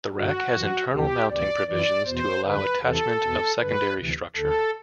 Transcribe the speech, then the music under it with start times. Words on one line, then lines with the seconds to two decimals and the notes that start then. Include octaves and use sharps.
The rack has internal mounting provisions to allow attachment of secondary structure.
0.15 G2 D3 F#4
0.53 F#2 E3
0.92 D2 C3 E3 G4
1.29 D2 C3 E3 D5
1.68 F#2 E3 D5
2.06 E2 B2 C5
2.44 F#2 D3 B4
2.83 E2 C3 E3 A4
3.21 E2 B2
3.59 G2 D3 B4
3.98 D2 C3 E3
4.36 D2 D3 A4